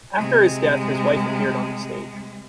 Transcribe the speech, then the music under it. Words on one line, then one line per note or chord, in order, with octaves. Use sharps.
After his death his wife appeared on the stage.
C3 G#3